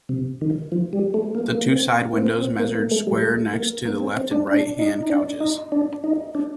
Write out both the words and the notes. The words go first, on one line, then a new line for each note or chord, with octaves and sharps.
The two side windows measured square next to the left and right-hand couches.
C3
D#3
F3
G3
A3
A#3
A#3
C4
A#3
C4
C4
A#3
A#3
A3
G3
A3
A#3
A#3
C4
C4
D4
D4
D#4
D#4
D4
D#4
D4
D#4
D4